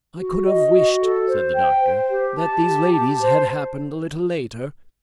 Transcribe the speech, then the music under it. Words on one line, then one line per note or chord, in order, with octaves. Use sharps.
"I could have wished," said the doctor, "that these ladies had happened a little later...."
F#4
D#5
F#4
A4
C5
G5
C5
G4
A5
G4
A5
C5